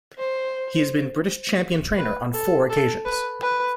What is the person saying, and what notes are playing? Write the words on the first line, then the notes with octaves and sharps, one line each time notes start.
He has been British Champion Trainer on four occasions.
C5
B4
A4
A4
B4
B4